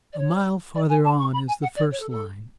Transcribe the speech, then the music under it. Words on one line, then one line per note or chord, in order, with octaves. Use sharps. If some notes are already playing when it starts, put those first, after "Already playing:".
A mile farther on is the first line.
D5
C#5
D5
G#5
A5
C#6
B5
G#5
F#5
D5
C#5
A4
A4